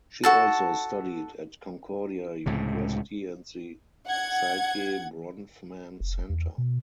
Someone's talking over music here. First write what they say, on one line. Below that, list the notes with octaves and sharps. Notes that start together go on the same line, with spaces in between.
She also studied at Concordia University and the Saidye Bronfman Centre.
F#4 A4 A5
C#2 A2 C3
F#5 G#6
F1
E2
B2